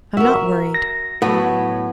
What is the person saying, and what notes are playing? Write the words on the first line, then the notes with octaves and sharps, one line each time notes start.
"I'm not worried."
F#4 A#4 E5
A#6
A2 F#3 B3